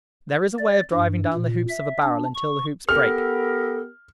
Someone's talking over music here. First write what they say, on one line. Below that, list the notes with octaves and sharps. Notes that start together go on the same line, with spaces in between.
There is a way of driving down the hoops of a barrel until the hoops break.
D5
G2
A#2
E5
D4
C#6
B3 G4 A4 A#4 F6